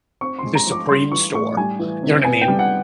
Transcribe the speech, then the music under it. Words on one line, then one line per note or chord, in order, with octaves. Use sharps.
the Supreme store, you know what I mean?
C4 C#6
C6
G#3
A#5
F3
D6
G3 C6
E3 C#6
A2 C#6
G3 G#5
E3
C3
B3 G#5
G5
G3
F#5